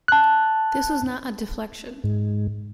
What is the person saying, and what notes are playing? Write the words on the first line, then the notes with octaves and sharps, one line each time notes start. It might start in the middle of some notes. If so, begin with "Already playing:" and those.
This was not a deflection.
A5 F#6
G#2